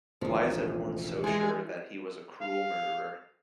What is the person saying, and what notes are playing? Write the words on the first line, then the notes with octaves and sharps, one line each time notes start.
Why is everyone so sure that he was a cruel murderer?
E1 A1 D2 D#3 F3
E3 G#3 D#5
F5